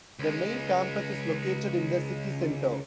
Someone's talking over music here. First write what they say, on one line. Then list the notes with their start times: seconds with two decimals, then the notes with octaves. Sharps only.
The main campus is located in the city centre.
0.19 C#2 G#3